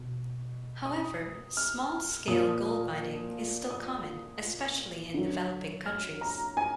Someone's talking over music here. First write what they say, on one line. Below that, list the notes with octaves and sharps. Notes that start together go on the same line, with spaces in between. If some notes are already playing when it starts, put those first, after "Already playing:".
However, small-scale gold mining is still common, especially in developing countries.
Already playing: B2
D#6
F6
A#2 F3 D#6
D#6
D3 F#3
F6
A#5
G#5